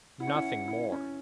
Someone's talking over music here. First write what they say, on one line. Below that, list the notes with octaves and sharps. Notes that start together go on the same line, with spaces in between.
Nothing more.
E4 F#5
C#4
E4
E4
C#4